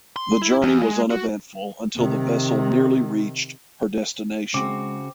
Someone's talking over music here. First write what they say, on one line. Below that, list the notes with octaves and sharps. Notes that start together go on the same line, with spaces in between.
The journey was uneventful until the vessel nearly reached her destination.
C6
E4
E2
G#3
F#4
C3 D#3
C#3 G#3 C4 F#4 D6